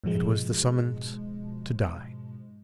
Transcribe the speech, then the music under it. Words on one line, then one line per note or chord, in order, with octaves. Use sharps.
It was the summons to die.
G#2 B2 F3 G#3